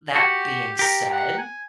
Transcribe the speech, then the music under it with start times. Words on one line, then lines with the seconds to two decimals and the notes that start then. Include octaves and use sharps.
That being said,
0.16 F#4 G4
0.79 G4 A#4
1.12 F#5
1.38 G#5